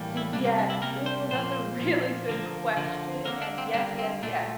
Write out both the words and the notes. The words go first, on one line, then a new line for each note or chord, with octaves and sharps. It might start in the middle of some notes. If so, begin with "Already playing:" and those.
Yes, ooh, that's a really good question, and yes yes yes.
Already playing: A2 E3 G3 A#3
E4
C3 G3 A#3 D4
C4
D4
E4
C3 G3 A#3 A#4
C5
A#2 F3 A#3 C5
A#2 F3 A#3
D3 F3 A#3
D3 F3 A#3
D3 G3 A#3 A#4
D4
C4
D3 G3 A#3 D4
C4
A#2 A3 D4